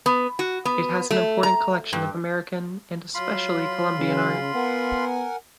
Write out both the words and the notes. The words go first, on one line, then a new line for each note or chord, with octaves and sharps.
It has an important collection of American and especially Colombian art.
B3
F#4
B3
A3
A#5
G2
F#3 F4 B5 C6
C#3 F#3 C#4
B3 A#4 F#5 G#5